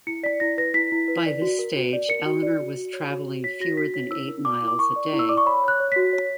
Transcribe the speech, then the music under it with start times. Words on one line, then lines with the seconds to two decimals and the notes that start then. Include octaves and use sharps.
By this stage Eleanor was travelling fewer than eight miles a day.
0.07 E4 C#7
0.23 D5 B6
0.40 E4 A#6
0.58 B4 A#6
0.74 E4 B6
0.92 E4
1.08 B4
1.26 D5
1.42 F#4
1.59 A#4
1.76 F#4
1.93 D5
2.09 A#4 C#7
2.25 F#4
2.42 D5
2.60 F#4
2.77 F#4
2.93 C#5
3.10 F#4
3.28 F#4
3.44 C#5 B6
3.60 F#4 A#6
3.77 F#4 B6
3.94 C#5 B6
4.11 E4 E6
4.29 A#4
4.45 D5 D6
4.62 E4
4.68 D6
4.79 A#4 C#6
4.96 D5
5.13 E4
5.19 E6
5.29 D5 D6
5.37 C#6
5.46 C#5 B5
5.63 C#5 F#6
5.80 C#5
5.92 F#4 B6
6.13 C#5